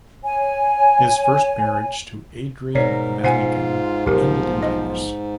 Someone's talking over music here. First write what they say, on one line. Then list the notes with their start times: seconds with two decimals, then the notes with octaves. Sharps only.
His first marriage to Adrienne Managan, ended in divorce.
0.24 C#5 G#5
2.75 G#2 B2 A#4 C#5 D5
3.24 B2 F4 C5 F#5 G#5
4.06 B1 F3 G4 A#4
4.63 D#5